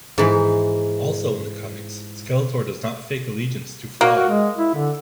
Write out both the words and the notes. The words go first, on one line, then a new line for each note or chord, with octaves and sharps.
Also in the comics, Skeletor does not fake allegiance to Flogg.
G#2 E3
A#3 F#4
F#4
G#3
E4
D3